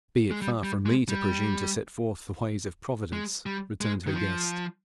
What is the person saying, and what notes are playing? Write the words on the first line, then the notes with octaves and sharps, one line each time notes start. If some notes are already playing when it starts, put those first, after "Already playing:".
'Be it far from me to presume to set forth the ways of Providence!' returned her guest.
G#3
G3
G3
G#3
G3
G#3
G3
G#3
D#3
F3